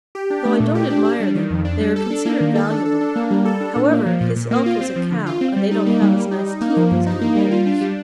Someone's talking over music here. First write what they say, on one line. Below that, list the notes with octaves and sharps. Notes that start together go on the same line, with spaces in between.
Though I don't admire them, they are considered valuable; however, his elk was a cow, and they don't have as nice teeth as do bulls.
G4
D4
A3
A#2
G4
D4
D4
G3
D#3
F2
D4
G3
A4
D4
A#3
D#3
A4
D4
A4
D4
A#3
G3
A4
D4
A#2
A#3
F3
A#2
A#2
A#3
F4
C4
F3
D3
F4
C4
G3
D#4
A#3
G3
G3
D#4
D#4
A#3
F3
G2
D#4
A#3
G3
F4
D4
G3